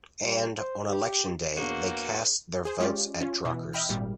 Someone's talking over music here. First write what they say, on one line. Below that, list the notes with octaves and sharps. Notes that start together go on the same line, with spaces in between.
And, on election day, they cast their votes at Drucker's.
G3
C5
G4
E2 A#3 D4 F#4 B4 C#5
G#4 C5
G#3 C#4 F4 G4 D5
C#4 F4
B2 E3
D#5 E5 G5 B5 F6
G#1 A#2 G3